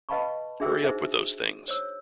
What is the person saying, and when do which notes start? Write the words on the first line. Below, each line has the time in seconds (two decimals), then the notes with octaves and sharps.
Hurry up with those things.
0.09 B4 D#5 F5 A5 B5 C#6
0.60 D4 F#4 G#4 E5 G5 E6
0.83 D#4 G#4 C5 E5
1.68 C5 C#5 E6